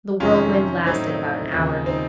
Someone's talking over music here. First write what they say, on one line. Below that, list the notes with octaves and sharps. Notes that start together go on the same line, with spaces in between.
The whirlwind lasted about an hour.
F2 C3 D#3 F#3 C#4 F4
A2 F#3 C4 D#4
D#2 C#3 F3
C4 D#4